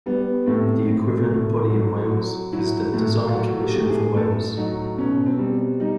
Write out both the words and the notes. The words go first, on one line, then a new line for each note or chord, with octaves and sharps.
The equivalent body in Wales is the Design Commission For Wales.
G3 B3
A2 C4
A2
A2
F#3
F#3
F#3 E4
A2
F4
F#3 F#4
G4
A2
G4
G#4
A2 A4
F#3 D#4
B2 C#4
C4
G3
G3 D#4